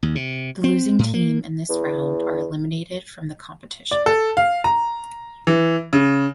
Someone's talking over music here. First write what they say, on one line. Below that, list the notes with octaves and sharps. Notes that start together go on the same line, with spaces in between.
The losing team in this round are eliminated from the competition.
D#2
C3
C4
A2
A#3
E2
D5
A4
F5
A#5
E3
C#3